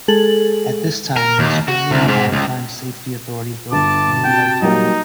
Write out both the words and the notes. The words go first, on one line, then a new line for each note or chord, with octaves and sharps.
At this time the Australian Maritime Safety Authority built a new light tower.
G#3 G#4 A4 F#7
A#4
D#2
F#4
C2
G#2
C#2
G1 A5 D6
C3 F#4 G5
F#3 G3 A#3 D#4